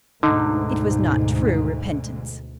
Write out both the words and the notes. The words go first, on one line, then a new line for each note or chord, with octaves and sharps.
It was not true repentance.
D2 G#2 B2 D3 D#4